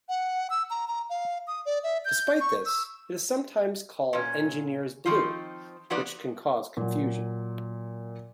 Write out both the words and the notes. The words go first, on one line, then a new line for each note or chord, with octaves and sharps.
Despite this, it is sometimes called engineer's blue, which can cause confusion.
F#5
E6
A#5
A#5
F5
D#6
D5
E5
G6
C#6
E6
A#2 C#4
D#3 F3 C4 D#4 F4
F3 B3 D#4 F#4 B4 D5
A#2 F#3